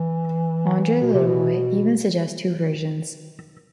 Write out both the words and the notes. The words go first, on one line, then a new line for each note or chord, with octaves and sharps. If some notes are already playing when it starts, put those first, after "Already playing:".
André Leroy even suggests two versions.
Already playing: E3
B2
C3
B2